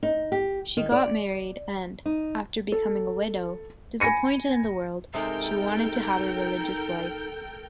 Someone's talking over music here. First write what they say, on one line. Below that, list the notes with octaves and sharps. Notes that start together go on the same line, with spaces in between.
She got married and, after becoming a widow, disappointed in the world, she wanted to have a religious life.
D#4
G4
D#3
D5
D#4
A4
G#5 B5 A#6 C#7 D#7
C3 G#3 D#4 A4 A#4 G5